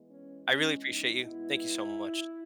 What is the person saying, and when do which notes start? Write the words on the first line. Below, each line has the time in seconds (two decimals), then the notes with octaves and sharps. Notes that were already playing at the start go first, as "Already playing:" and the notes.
I really appreciate you, thank you so much.
Already playing: E3 G#3 B3
0.10 C#4
0.47 E3 G#3 B3 C#4
0.86 D#4
1.23 B2 G#3 B3 E4